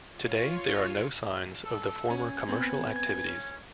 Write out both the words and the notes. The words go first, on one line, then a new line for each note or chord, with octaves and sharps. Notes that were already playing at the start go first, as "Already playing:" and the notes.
Today there are no signs of the former commercial activities.
F4 C#5
A4
C#4 G#5
B3 C4
G#6
C#4